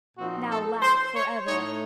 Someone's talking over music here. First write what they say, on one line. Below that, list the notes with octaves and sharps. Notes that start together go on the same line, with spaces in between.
"Now laugh for ever!"
A#2 F3 C4 D#4 F#4
A4
C5
C#5
A2 A3 D#4 C#5